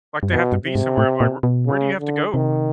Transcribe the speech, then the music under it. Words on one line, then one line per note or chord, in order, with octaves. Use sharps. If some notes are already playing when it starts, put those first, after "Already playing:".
like, they have to be somewhere, I'm, like, "Wher where do you have to go?"
G2
F#2 B2
G2
C3
G#2
A2
A#2
B2
C#3
D3
C3 D#3